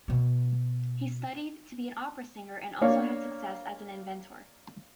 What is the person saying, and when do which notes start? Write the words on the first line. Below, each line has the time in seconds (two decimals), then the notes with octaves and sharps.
He studied to be an opera singer and also had success as an inventor.
0.08 B2 B3
2.81 A#3 D4 C#5 F5